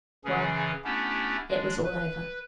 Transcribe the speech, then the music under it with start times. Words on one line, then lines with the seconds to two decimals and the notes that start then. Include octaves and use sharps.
Well; it was all over....
0.25 F#2 C#3 E3 C#4 G#4
0.84 A3 B3 C#4 D4 E4 G4
1.48 G#3 D4
1.84 B4